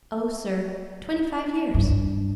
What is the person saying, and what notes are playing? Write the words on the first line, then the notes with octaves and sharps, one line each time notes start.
"Oh, sir, twenty-five years."
G2